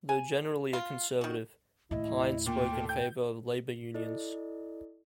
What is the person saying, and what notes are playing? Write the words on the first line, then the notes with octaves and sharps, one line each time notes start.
Though generally a conservative, Pyne spoke in favor of labor unions.
G#5
F4
D#3 F#4
D#2 A2 E4 D#5
A#2 G5
A4
G5 G6
E4 A4 D5 D#5